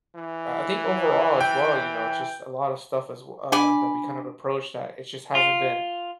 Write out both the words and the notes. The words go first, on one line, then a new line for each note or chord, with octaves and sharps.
I I think overall, as well, you know, it's just a lotta stuff as w uh, that we, kind of approach that it just hasn't been
E3
G5
D4 G#5 B5 D6
F4